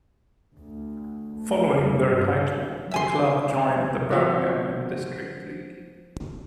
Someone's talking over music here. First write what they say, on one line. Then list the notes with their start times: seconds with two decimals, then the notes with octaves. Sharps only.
Following their title, the club joined the Birmingham and District League.
0.54 D2
1.39 A3
1.72 F1
2.06 G2
2.91 E5 G#5 C6
4.11 F3 F#4